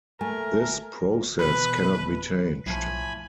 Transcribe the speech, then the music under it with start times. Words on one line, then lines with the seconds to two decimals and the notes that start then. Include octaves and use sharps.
This process cannot be changed.
0.21 A3 A#4 G#5
1.39 B2 E3 B4
2.66 B1 A2 F3 G#5 A5 B5